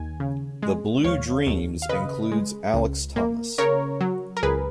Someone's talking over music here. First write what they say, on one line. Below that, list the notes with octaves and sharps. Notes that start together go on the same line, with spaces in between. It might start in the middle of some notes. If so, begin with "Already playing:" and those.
"The Blue Dreams" includes Alex Thomas.
Already playing: D#2 G#5
C#3
G#3
D#2 C#5 F5
D#2
F5
C#3 B4 D#5
G#3
C#2
A#3
C#3 A#4 C#5
F#3
A#4
C#2 G#4 B4